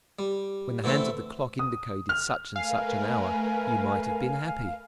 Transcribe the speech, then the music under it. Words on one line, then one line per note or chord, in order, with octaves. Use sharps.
When the hands of the clock indicated such and such an hour, you might have been happy.
G3
D3 E3 A3 C4 A4
D#6
F6
A3 A#4 B4 F5 G#5